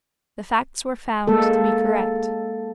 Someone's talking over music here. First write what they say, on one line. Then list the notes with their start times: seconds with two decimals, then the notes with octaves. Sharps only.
The facts were found to be correct.
1.27 G#3 A#3 A4